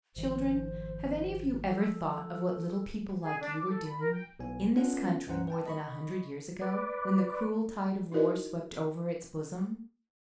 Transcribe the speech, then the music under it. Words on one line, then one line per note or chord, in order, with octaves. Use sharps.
Children, have any of you ever thought of what little people like you were doing in this country more than a hundred years ago, when the cruel tide of war swept over its bosom?
G#1 D#3 F3 C5
F3 A4
G#4
D4
D6
A4
B5
A#4
G5
B1 B3 G#5
B3 C#4 D4 F4 A4 F#5
C#2 G2 C#4 C5 F#5 A#5
B4 G5 A5
D#5 B5 C#6
B4 D5
D#4 E4 F#4 A#4 D5 D#5